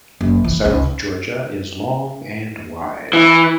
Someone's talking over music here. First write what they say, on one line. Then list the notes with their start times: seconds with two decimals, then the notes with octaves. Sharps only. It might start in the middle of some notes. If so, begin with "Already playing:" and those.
South Georgia is long and wide.
0.21 F#1
0.44 E3
0.65 C#2
3.13 E3